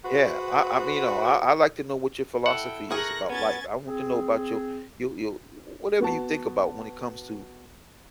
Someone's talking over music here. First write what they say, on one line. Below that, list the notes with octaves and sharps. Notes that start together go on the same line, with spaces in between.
Yeah, I I mean, y'know, I I like to know what your philosophy is about life, I want to know about you you you, w whatever you think about when it comes to
F#4 G#4 B4 C5 F#5
E4 A4 F#5 G5
G#4 A#4 C#6 F#6 A#6
B3 C#4 G#6 A6
C4 G#4
B3 F#4 A5